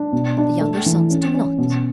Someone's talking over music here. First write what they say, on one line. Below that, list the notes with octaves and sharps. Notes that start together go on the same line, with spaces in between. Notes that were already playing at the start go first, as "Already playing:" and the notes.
The younger sons do not.
Already playing: D4
B2
D4
A3
E3
C#4
C#4
B2